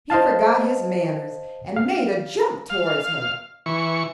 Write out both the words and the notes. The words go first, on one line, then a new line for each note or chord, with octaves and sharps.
He forgot his manners and made a jump towards her.
C5 D#5 F5 A5
F5
F5
E3 C#6